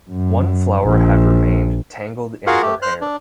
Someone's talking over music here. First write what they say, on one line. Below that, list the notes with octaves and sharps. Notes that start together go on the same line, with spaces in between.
One flower had remained tangled in her hair.
F#2
A#1
F4 F#4 G#4 A#4 F5 F#5
A3 G4
C5 F6 F#6
D4